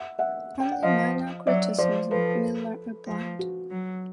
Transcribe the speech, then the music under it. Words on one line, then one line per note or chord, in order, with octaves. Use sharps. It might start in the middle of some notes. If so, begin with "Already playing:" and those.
"Only minor criticism," Miller replied.
Already playing: E5 F#5
E5 F#5
G5
F#5
F3 D#5 F5
F#3 D5 E5
F3 C5 D5
F3 A4 B4
F3
F#4
F#3